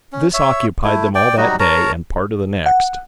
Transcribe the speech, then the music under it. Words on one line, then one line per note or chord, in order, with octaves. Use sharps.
This occupied them all that day, and part of the next.
C#4
C#5 E5
A3 E4
D5 G5
F#3 G3 D#4 F#4
A#4 C#5 A5 A#5
F#5